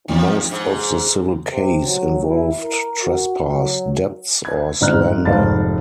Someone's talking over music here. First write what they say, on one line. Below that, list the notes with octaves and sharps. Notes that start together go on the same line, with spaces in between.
Most of the civil case involved trespass, debts or slander.
E2
G#2
C3
F#3
E4
A#4
F#4
F#3
G#6
G1 G#2 C4 A#5 F6 F#6
F1 G#2 F5 A5 A6